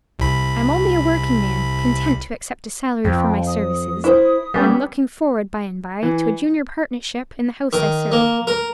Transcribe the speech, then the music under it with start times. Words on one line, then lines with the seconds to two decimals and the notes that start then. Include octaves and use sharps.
I am only a working man, content to accept a salary for my services; and looking forward by-and-by to a junior partnership in the house I serve.
0.19 C2 B5
3.04 F2 G5
3.47 D#6
4.04 E4 C5
4.54 G3 B3 C#4 G4
6.03 E3
7.73 D#3
8.12 A#3
8.47 A#4